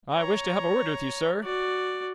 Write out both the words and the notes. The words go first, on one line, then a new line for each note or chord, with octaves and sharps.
"I wish to have a word with you, sir."
C#5 A#5
F#4 D5